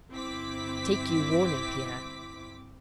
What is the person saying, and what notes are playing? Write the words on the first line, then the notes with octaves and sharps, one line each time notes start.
Take you warning, Pierre!
G1 C4 E4 D6 B6